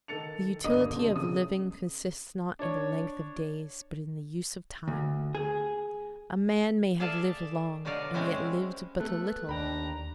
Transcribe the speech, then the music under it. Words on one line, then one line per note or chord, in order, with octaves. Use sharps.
The utility of living consists not in the length of days, but in the use of time; a man may have lived long, and yet lived but a little.
D#3 A4 A6 C#7 F7
G1 D#2 D4 A#4 D#5 D#6
B2 D3 G3 A3 C4
C#3 D#6
D4 C#5
D2
G#4
G#4 A4 D5 E5 F5 A5
B2 D3 F#3 D#4 D5 F5
G#3 C4 C#4 E4 F#4
A3 B3 F#6
D#2 D4 G5 A#5 B5